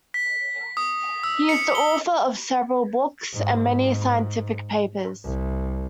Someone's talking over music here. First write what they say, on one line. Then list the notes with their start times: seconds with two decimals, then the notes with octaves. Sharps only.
He is the author of several books, and many scientific papers.
0.14 B6
0.77 D#6
1.24 E6
1.49 C#7
1.75 G7
3.34 G#2
5.24 C2